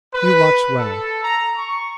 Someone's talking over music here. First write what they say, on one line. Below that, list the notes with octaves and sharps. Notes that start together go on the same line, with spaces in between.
You watch well!
B4
A4
A#5
C#6